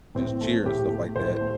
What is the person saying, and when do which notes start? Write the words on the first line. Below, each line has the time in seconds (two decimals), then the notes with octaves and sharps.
just cheer and stuff like that,
0.15 A2 C4
0.41 A3
0.65 A2 G4
0.90 A3
1.16 A2 C5
1.41 A3